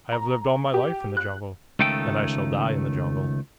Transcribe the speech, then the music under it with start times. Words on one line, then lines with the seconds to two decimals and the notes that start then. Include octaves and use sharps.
I have lived all my life in the jungle, and I shall die in the jungle.
0.12 A#5
0.74 G4
1.17 F#6
1.79 C#2 D#3 A3 A4 G5